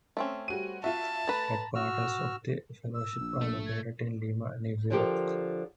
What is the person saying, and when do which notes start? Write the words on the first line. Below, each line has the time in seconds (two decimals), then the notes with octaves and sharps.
Headquarters of the fellowship are located in Lima, New York.
0.17 A3 C4 C#4
0.48 G3 F#4 D#7
0.84 F4 F#4 E5 A5
1.27 A3 B4 A#5 B5 A6
1.75 F#4 E6 F6
2.94 E6
3.21 A#1
3.41 A3
3.66 G#6
4.90 D3 F3 G4 A#4